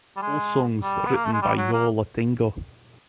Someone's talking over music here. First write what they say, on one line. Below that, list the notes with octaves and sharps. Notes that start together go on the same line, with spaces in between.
All songs written by Yo La Tengo.
G3
G#3
G3
B3
A#3
A3
G#3
G3
F#3
A#3